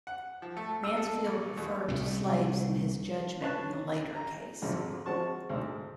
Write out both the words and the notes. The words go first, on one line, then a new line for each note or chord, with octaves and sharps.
Mansfield referred to slaves in his judgment in a later case.
F#5
F3
A3
E6
A4
A#1
D#2
C2 A2
B4 C#5 A5 F#6
A#5
G#1 F2 G#2 D3 F#4
F3 G#3 C4 F#4 A5 C#6
D2 G#2